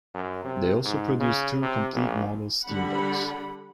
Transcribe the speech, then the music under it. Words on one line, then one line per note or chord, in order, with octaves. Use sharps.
They also produced two complete model steam boats.
F#2
C3
G#2
C#3
C3
A#1
D3 G3 F#5 B5